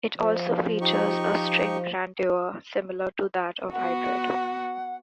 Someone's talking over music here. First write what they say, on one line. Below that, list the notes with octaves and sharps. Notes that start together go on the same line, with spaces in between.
It also features a string grandeur similar to that of Hybrid.
F3
D#4 G4 C#6
B3 F#4 F#5